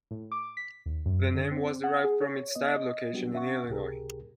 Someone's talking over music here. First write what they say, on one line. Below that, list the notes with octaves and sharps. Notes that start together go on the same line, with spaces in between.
The name was derived from its type location in Illinois.
A2
D6
B6
D#2
F#2
D3
C4
F#5
G#4
C#5
B3 D#5
D#5
F#3 G3 B3 D4 F#4 G4
C#4 E5 F#5 C#6
C#2 A2 C3 G4 G#4 A#4